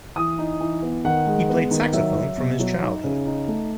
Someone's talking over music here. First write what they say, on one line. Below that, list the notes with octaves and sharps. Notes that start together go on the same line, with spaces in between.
He played saxophone from his childhood.
E3 D#6
D#4
E3
B3
D#3 F#5
G#3
B3
D#3
F#3 E5
F#3
B2
F#3
D#4
C#3
D#4
A3